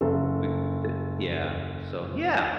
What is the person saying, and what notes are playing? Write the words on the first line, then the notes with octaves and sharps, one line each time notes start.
We the Yeah, so yeah.
F#1 A4